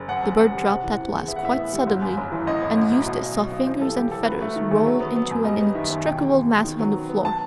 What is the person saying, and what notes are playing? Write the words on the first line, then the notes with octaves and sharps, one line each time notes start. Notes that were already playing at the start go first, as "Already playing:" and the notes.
The bird dropped at last quite suddenly, and Eustace saw fingers and feathers rolled into an inextricable mass on the floor.
Already playing: F#1
F#2 F#5
F#2
F#2
G3
C3
E3
C3
E2
B3 E5
F#5
A2 E5
B3
G3
G1
F#2
G1
E3
A1 D#5
A2
A1
F#3
B2
B1
F#3
B1
E3 C5
G3 A4
G3 G4
E3 A4
F#3 B4
A3
D#3
E2
F#3
B3
B3
F#2
G3 D#5
B3
D#3 E5
D#2
B2 G5
E2
E2
B2
D#3
F#3
B3
B3
A5